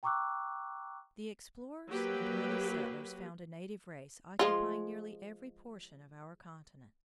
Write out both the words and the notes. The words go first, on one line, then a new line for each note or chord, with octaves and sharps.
The explorers and early settlers found a native race occupying nearly every portion of our continent.
G5 A#5 C#6 D6 E6 F#6
F#3 A#3 G4 B4
F3 G#3 F4